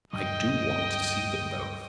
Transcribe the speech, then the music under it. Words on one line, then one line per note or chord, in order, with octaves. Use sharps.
"I do want to see them both."
D2 G2 F#3 D#5 G5